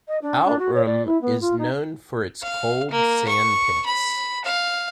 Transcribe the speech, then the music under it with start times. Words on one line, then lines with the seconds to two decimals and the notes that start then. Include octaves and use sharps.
Outram is known for its cold sandpits.
0.08 D#5
0.22 D4
0.44 D4
0.59 F#4
0.74 C#5
0.85 D5
1.06 E4
1.21 B3
1.40 F4
1.58 D#4
2.43 F5
2.90 A#3
3.28 C#6
3.86 B5
4.45 F5